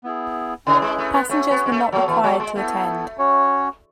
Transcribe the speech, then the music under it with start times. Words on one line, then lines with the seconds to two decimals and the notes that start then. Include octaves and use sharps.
Passengers were not required to attend.
0.04 B3 E4 G#4
0.66 C#3 C#4 E4 G#4 B4
0.82 G#3
0.98 A3
1.14 B3
1.29 A3 C#4 F#4 C#5
1.51 B3
1.66 G#3
1.72 A3
1.92 F#3 B3 F#4 A4
2.08 E3
2.24 F#3
2.40 G#3
2.55 A3 B3 E4 A4
3.18 C#4 F#4 C#5